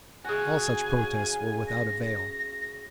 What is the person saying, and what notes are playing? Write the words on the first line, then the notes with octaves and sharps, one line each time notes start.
All such protests were without avail.
C#3 F#4 G#5
A#6